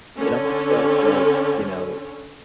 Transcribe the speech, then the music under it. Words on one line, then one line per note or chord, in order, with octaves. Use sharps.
it almost felt like, you know,
D3 C#4